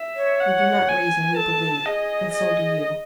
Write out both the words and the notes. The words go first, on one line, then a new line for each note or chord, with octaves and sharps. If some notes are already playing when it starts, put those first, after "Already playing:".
We do not reason--we believe; and so do you.
Already playing: E5
C#5
F#5
G#5
B4
A4 A5
G#4 D#5
D#5